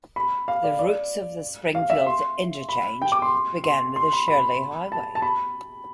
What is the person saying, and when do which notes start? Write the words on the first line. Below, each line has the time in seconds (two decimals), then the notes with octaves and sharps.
The roots of the Springfield Interchange began with the Shirley Highway.
0.16 B5
0.48 F5
0.64 D5
0.79 D5
1.75 F5
1.90 E5
2.06 C6
2.69 B5
3.02 G5
3.12 D6
3.22 C6
3.64 C6
3.96 C6
4.13 B5
4.28 B5
4.92 A5
5.15 A5
5.22 B5